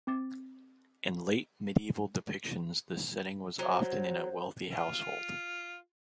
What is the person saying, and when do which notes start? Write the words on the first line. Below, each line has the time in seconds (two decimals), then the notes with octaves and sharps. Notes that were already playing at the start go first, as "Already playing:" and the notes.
In late medieval depictions the setting was often in a wealthy household.
0.07 C4 D6 A6
3.59 F#3 C5
4.72 F4